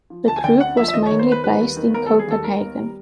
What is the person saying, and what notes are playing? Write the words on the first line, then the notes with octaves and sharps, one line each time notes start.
The group was mainly based in Copenhagen.
F3
D2 A5
G#5
D3 G5
D2 F#5
F3 E5
E5
D#2 D#5
D#3 C#5
C5
B3
B4
G3 B4
D#2
D#3
B3 A#4
G3 A4
G#4
D#2 A4
D#3 A#4
B3
G3